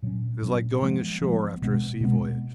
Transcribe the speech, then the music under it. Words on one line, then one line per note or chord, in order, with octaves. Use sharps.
It is like going ashore after a sea voyage.
A#2 F#3 C#4
A#2 F#3 C#4
F3 G#3 B3
F3 G#3 B3
B2 G#3 B3
B2 G#3 B3